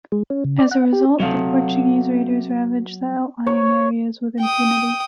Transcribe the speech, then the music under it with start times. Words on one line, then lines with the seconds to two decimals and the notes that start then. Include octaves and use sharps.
As a result, the Portuguese raiders ravaged the outlying areas with impunity.
0.12 G#3
0.30 C#4
0.45 C#3
0.59 D5
0.71 F#5
0.93 G4
1.20 C3 F#3 A3 F5
3.46 C#5
4.39 G5 D#6